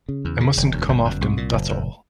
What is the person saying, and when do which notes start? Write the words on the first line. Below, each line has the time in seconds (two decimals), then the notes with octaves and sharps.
I mustn’t come often, that’s all.
0.09 C#3
0.25 E2
0.40 C#3
0.57 E1
0.73 D2
0.89 G1
1.05 F#2
1.21 C2
1.37 A#2
1.53 F#1
1.69 E2